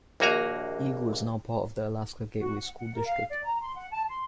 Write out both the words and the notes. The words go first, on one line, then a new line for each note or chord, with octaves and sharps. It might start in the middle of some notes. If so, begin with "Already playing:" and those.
Eagle is now part of the Alaska Gateway School District.
A#1 D#2 A#3 F#4 G#5 A#5
F#4
F#5
F#5
A#4
F5
D5
A#5
C6
F#5
A5
C6